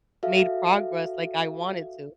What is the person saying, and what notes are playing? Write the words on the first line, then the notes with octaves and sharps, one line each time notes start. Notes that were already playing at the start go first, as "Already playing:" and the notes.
made progress like I wanted to."
F#4 A4 E5 F5